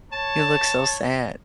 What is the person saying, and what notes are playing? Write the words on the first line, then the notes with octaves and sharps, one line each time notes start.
"You look so sad.
C#5 A5